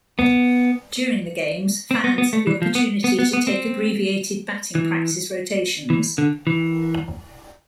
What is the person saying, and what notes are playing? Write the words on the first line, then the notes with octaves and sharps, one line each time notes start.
During the games, fans have the opportunity to take abbreviated batting practice rotations.
B3
C4
B3
B3
A3
E3
F3
B3
B3
B3
B3
C4
E3
E3
D3
E3